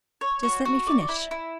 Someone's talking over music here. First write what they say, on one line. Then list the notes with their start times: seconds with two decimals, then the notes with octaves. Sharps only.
"Just let me finish."
0.21 C#5
0.43 F#4
0.65 F#4
0.87 D5
1.09 E4
1.31 E4